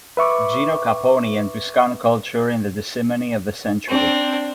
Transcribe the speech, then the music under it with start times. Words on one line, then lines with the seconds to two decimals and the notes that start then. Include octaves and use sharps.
Gino Capponi and Tuscan culture in the decimony of the century.
0.17 B4 E5 C#6 D6
3.88 C4 D4